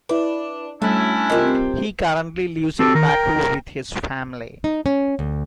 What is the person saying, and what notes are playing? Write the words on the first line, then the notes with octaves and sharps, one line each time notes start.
He currently lives in Baku with his family.
D4 E4 B4
F#3 G3 A3 C#4 D4 E4
C3 C4 F4 A#4 D#5
C4 F#4 G4 A4
D#3 A#4
G5
D#4
C#4
D2